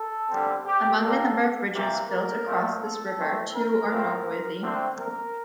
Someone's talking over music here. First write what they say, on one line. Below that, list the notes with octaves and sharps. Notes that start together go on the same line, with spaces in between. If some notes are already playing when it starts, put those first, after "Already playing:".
Among the number of bridges built across this river, two are noteworthy.
Already playing: A4
D3 G3 C4
G4
A#2 G3 A#3 A4
C3 E3 A#3
A#4
A#2 F3 A3
A4
E3 A3 C4
A#4
A2 F3 C4
D3 A3 C4
A#4